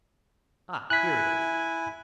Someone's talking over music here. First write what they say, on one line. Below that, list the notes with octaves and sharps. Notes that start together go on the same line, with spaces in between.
Ah, here it is.
E4 G#5 F#6 B6